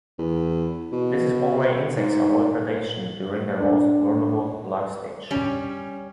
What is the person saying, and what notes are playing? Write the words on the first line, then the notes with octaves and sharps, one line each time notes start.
This is one way insects avoid predation during their most vulnerable life stage.
E2
B2
G#2
D4
G3 C#4